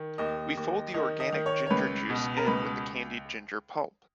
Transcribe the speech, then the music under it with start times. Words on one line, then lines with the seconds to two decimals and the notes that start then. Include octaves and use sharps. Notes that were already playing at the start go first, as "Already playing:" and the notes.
We fold the organic ginger juice in with the candied ginger pulp.
Already playing: D#3
0.18 D#2 D#5
0.57 D#2
0.94 D#3 D#5
1.20 D#5
1.33 D#3
1.46 C#5
1.67 C#5
1.70 C#2 B4
2.09 B2
2.37 A#4
2.46 C#2 B4